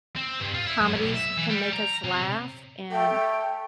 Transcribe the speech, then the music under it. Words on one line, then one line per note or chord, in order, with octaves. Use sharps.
comedies can make us laugh, and,
C4
G2
F4
E4
F#2
B1
E5
E3
G3
A#5
C3
A3 G5